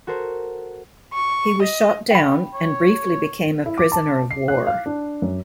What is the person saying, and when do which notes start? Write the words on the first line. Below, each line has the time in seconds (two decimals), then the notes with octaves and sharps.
He was shot down and briefly became a prisoner of war.
0.07 F#4 A4 A#4 C5
1.14 C#6
1.62 D#5
2.11 G5 B5
2.54 C#5
3.66 E4
3.78 D6
3.92 A5
4.31 C7
4.48 F#6
4.67 F5
4.86 D4
5.22 F#2